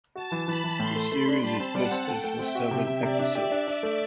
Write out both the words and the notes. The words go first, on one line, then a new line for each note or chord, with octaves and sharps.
The series is listed for seven episodes.
F#4 A5
E3
E3 B5
E3
A2 C6
A3
A3 B5
D4
G3 A5
C4
G3 F#5
C4
A3 G5
A3
C4 E5
F#4
C3
C3
C3 D5
D4
G4
D4
D4
A3